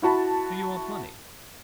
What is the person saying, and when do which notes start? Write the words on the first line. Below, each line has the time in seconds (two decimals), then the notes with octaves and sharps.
Do you want money?
0.02 E4 F#4 A5 B5